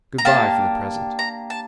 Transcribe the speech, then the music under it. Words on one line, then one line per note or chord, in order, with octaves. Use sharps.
Good-bye for the present!
A#5
A#3 D4 G4 A5
A#5
A5